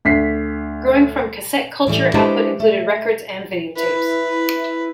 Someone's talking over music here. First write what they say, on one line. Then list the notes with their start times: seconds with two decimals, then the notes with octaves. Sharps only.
Growing from cassette culture, output included records and videotapes.
0.05 D2 B6 C7
1.87 A2 E3 G3 A3
2.14 G#3 D4 E4 G4 B4 C5
2.60 A3
3.76 E4 B4